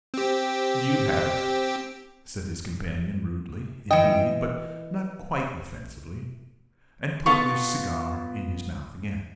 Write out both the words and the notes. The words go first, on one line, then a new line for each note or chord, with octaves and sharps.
"You have it," said his companion--rudely, indeed, but not quite offensively, and put his cigar in his mouth again.
C4 G4
E3 D#5 G5
B3 F4 A5 C#6